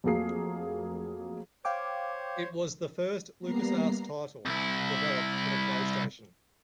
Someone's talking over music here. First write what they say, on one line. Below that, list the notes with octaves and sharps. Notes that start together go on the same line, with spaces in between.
It was the first LucasArts title developed for the PlayStation.
F2 F#3 A3 A#3 G#4 C7
C5 C#5 F5 G5 D6
G3 A#3 B3 A#5 C7
C2 E4